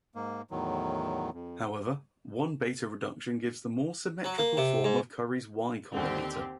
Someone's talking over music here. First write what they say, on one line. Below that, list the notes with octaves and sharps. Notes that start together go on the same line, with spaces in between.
However one beta reduction gives the more symmetrical form of Curry's Y combinator.
G#2 A#3
E2 A2 D#3 F#3
F2
F#3
A#3
C3
G#2
D#2 D3 C4 G4